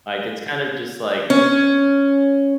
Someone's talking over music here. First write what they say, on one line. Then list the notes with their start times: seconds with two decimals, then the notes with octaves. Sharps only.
Like, it's kind of just, like
1.30 C#4